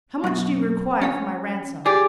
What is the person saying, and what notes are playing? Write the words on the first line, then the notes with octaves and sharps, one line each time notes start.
"How much do you require for my ransom?"
F#2 B2
C#4 C#5
G4 G#4 D5